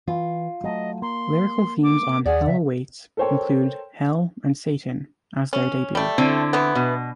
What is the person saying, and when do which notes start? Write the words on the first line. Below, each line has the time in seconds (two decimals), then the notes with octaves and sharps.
Lyrical themes on "Hell Awaits" include hell and Satan, as their debut.
0.08 E3 F4
0.64 F#3 G#3 A3 D#5
1.02 A#3 C6
1.83 D6
2.26 D#2 G#4 D5 F#5
2.46 C#3 E5
3.17 A4 A#4 C5 C#5 G5
5.53 C#4
5.95 G3 A3
6.18 D3 C4 E4
6.53 E3 B3
6.75 B2